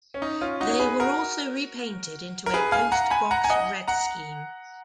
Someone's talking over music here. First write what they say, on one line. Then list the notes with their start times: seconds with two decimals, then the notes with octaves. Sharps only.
They were also re-painted into a post-box-red scheme.
0.14 C#4
0.22 D#4
0.41 C#4 F4
0.60 D#4 F#4
0.70 C#5
0.79 G#4 B4
1.00 F#4 A#4
2.46 A#4
2.54 G#4 B4
2.72 F5 G#5
2.92 F#5 A#5
3.10 G#5 B5
3.31 F#5 A#5
3.44 G#5
3.49 D#5 F#5
3.88 F#5 A#5